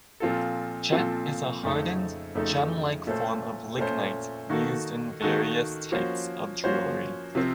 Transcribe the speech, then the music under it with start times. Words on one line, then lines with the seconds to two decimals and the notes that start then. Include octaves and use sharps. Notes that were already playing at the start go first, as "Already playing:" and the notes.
Jet is a hardened, gem-like form of lignite used in various types of jewelry.
0.20 A#2 F3 C4 F4 A4
0.92 A#2 F3 C4 F4 A4
1.63 F2 C#3 A3 D#4 A4
2.35 F2 C#3 A3 D#4 A4
3.07 A#2 A3 C#4 A4 C5
3.78 A#2 A3 C#4 A4 C5
4.49 D#3 A#3 D#4 F#4 A4
5.21 D#3 A#3 D#4 F#4 A4
5.92 F3 A#3 C#4 F#4 C5
6.64 F3 A#3 C#4 F#4 C5
7.35 C3 F3 C4